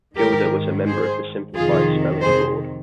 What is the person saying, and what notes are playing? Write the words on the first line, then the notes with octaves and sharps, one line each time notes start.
Gilder was a member of the Simplified Spelling Board.
G#2 D#3 G4 A#4
G#4 C5
F2 C3 D#3 F4 G#4
G#4 C5